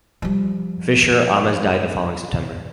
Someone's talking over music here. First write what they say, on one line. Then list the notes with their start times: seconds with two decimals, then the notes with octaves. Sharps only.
Fisher Ames died the following September.
0.22 F3 G3